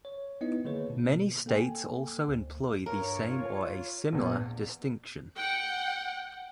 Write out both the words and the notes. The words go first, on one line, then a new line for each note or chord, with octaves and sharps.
Many states also employ the same or a similar distinction.
C#5
B3 D#4 E4 B4 D#5
D3 D#3 A#3 G#4 B4 C#5
B2
A#3 A4 G5 G#5
D2
G2 A#4 C#5
F4
A#1 E2
F#5 G5